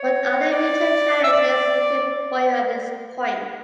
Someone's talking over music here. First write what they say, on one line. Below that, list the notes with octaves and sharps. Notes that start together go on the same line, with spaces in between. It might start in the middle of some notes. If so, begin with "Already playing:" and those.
What are the major challenges waiting for you at this point?
Already playing: C#5
D5
E5
D5